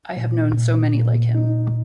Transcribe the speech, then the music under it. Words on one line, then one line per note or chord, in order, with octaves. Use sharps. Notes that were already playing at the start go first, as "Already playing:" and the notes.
I have known so many like him.
A#2
A#2
A#2
D#4